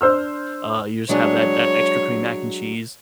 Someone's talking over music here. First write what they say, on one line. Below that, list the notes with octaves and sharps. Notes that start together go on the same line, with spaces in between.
uh, you just have that that extra creamy mac and cheese,
D4 C5 E6 F6
F#3 G#3 D4 C#5